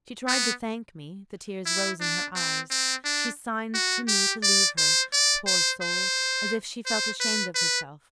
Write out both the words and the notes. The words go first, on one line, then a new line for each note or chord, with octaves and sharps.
She tried to thank me; the tears rose in her eyes--she signed to me to leave her, poor soul, as if she felt ashamed of herself.
B3
E4
D4
C4
C4
D4
F#4
G4
D5
C5
D5
C5
C5
C5
B4
B4